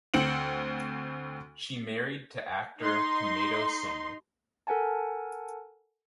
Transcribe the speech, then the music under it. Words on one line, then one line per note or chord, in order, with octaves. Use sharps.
She married to actor "Tomato Somu".
D2 C4 C#7 D7 F#7
D#4 C6
A4 A#4 F#5 G#5 A5